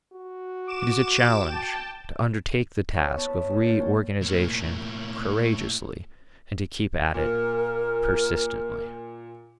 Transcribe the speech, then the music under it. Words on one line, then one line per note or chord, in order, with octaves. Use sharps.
It is a challenge to undertake the task of reorganization courageously and to keep at it persistently.
F#4
D6 E7
G5 A5
B2 C#5
B3 C#4 E4 B4 A5
E5
D#4 G#4 A4
D3 A#3 D4 G6
A4 C5 C#5 G5 G#5
A2 A#3
A#2 A#4